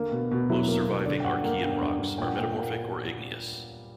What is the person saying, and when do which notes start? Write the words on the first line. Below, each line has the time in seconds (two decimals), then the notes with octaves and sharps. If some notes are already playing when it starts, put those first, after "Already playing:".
Most surviving Archean rocks are metamorphic or igneous.
Already playing: D3 A#3
0.11 B2
0.31 B2
0.50 F#3 E4
0.68 A#3
0.87 B2
1.05 D3 D5
1.20 G5
1.24 G2 F#5
1.43 A#3 F#5
1.62 G2 G5
1.81 G2
1.99 G2
2.18 A#2 G5
2.28 F#5
2.37 A#2 G5
2.56 A#3